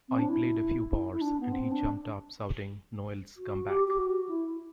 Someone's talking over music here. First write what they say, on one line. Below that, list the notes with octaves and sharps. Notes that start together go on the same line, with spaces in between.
I played a few bars and he jumped up shouting, 'Noel's come back'.
C4
D4
E4
E4
E4
D4
B3
C4
D4
F#4
G4
G4
F#4
E4